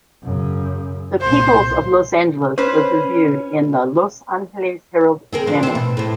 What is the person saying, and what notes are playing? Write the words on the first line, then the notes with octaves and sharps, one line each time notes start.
"The Peoples of Los Angeles" was reviewed in "The Los Angeles Herald Examiner".
F#2 C#3
C2 A#2 C5
C#4 B4 C5
C4 G#4 A#4
F3 D4 C5
E3 C4
B2
A2 C4